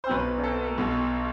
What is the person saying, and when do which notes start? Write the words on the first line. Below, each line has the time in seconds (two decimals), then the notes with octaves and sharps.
Oh, right.
0.04 C5
0.09 B1 B2 B4
0.44 A4
0.78 B1 B2